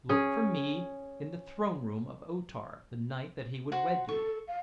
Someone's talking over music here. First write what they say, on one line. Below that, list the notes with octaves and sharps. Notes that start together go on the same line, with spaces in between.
Look for me in the throne room of O-Tar the night that he would wed you.
C#4 G#4
F#4 C5 F#5
A4 C#6
F5